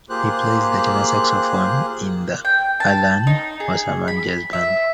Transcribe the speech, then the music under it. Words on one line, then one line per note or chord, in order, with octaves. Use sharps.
He plays the tenor saxophone in the Alan Wasserman Jazz Band.
A#3 F4 G4 G#4 C5 F#6
G5
A5
D#4
G#4
B5
E5